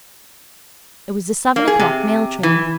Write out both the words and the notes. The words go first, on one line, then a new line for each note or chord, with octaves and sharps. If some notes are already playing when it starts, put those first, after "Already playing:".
It was the seven o'clock mail train.
A#3
G#4
C3
E3